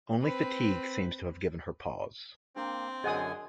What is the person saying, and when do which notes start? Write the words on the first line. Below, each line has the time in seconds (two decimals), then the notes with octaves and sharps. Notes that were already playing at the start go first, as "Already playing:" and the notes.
Only fatigue seems to have given her pause.
0.23 C4 B4
2.56 A#3 C4 D4
3.04 F#2 D3 G#4 D#5 F#5 G#5 D#6